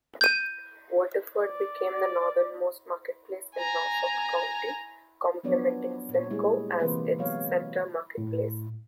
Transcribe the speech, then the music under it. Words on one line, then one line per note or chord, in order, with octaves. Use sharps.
Waterford became the northernmost marketplace in Norfolk County; complementing Simcoe as its center marketplace.
G6 D#7
D5
G#5 A#5
F3 F#3 B3 D4 C#5 D5
A#2 C#5
G3 G#3 E4 G4 G#4
C3 E3 A#3 G4 B4 C5
B2 F#3 G#3 C#5 F5
A2